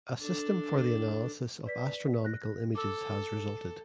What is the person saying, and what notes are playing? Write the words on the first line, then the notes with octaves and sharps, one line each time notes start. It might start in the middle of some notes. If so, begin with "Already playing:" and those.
A system for the analysis of astronomical images has resulted.
D4 A4
B4 D5 B6
F#6 A#6
A4 D6 E6